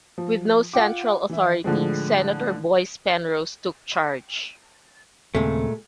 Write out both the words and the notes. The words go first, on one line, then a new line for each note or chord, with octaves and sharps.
With no central authority, Senator Boies Penrose took charge.
F3
F4 F#5 G5 D6
E3 E4
A2 D3 F3 G#3
D#2 A#2 C#3 G#3 A3 C4